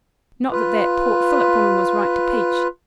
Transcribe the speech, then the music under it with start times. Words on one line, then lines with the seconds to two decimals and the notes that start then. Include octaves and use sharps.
Not that that Port Phillip woman was right to peach.
0.52 F4 B4